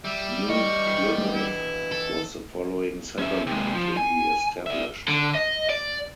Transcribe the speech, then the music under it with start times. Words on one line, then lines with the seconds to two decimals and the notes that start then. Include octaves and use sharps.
New Plymouth was the following settlement to be established.
0.05 G3 E5
0.49 E3 D#5 C#6
1.34 E4
1.92 A4
3.19 C#4 E5
3.47 C3 G#3
3.74 F3
3.97 G#5
4.66 D5 E5
5.08 D3
5.35 D#5
5.70 D5